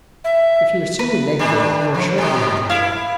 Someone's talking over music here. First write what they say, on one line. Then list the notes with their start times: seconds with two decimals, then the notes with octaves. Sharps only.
If you assume the negative you are sure to be negative.
0.24 E5
0.99 B4
1.39 G2 D#3 D4
1.95 F3
2.18 G#2 B2
2.70 E4 F5